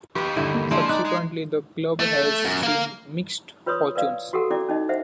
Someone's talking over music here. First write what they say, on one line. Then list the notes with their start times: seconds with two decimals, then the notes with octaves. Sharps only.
Subsequently, the club has seen mixed fortunes.
0.15 D#2 G4 B4
0.36 G2 D3 E4
0.55 A#3
0.71 F3 G#3 D4 E4
0.89 B1 D#4 D5 F#6
1.05 G#3
2.00 A3
2.45 F#2
2.63 A#3 F5
3.66 F4 B4 C#5 C6 D#6
3.95 A#4 B4 D5 F5
4.33 F#4 G4 A4 A#4 F#5
4.51 C#4 E4 D5 D6
4.69 C#4 D#4 D#5
4.89 C5 E5 F#5